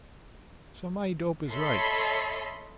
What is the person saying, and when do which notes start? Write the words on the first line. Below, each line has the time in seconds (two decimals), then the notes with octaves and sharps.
So my dope is right.
1.51 A4 C#5 D#5 E5 B5 C6